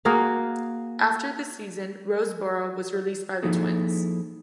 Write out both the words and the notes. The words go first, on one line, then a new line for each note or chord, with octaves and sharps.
After the season, Roseboro was released by the Twins.
A#3 F#4 G#4 F5
F3 A#3 D#4 E4 G#4 A4